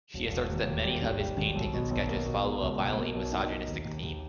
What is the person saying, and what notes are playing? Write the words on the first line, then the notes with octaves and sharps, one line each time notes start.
She asserts that many of his paintings and sketches follow a violently misogynistic theme.
E1
E1
D#2
D#2
G3
G#1
G3
G#1
B1
B2
B1
A#3
B2
B2
C#2
B2
A#3
B1
D#4
D#4
D#2
D#2
D#2